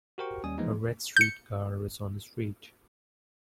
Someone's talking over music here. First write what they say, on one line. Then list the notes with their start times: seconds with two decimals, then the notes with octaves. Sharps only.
A red streetcar is on the street.
0.18 F#4 G4 A#4 C5 G5 C#6
0.44 D#2 G3 C#4 G#5 D#6
0.58 E3 F3 G#3 A#3 B3 D#4
1.17 G6 C#7